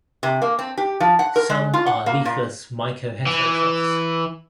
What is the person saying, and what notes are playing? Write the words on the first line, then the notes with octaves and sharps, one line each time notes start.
Some are leafless myco-heterotrophs.
C3
A#3
C4
G4
F3
F#5
A#4
G#3
F4
F#5
A#3
A#2
E3